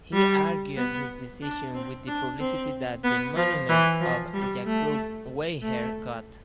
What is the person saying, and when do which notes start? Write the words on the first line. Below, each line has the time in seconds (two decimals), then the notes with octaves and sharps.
He argued his decision with the publicity that the monument of Jakub Weiher got.
0.13 G3
0.78 B3
1.42 D4
1.75 C4
2.07 D4
2.40 C4
3.04 B3
3.36 F3
3.69 E3
4.01 F3
4.33 G3
4.65 A3
5.62 A3